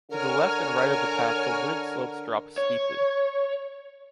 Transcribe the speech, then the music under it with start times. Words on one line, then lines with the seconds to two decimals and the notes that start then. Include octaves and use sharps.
To the left and right of the path the wooded slopes drop steeply.
0.10 D3 A#4 C#5 G#5 F6
2.58 C#5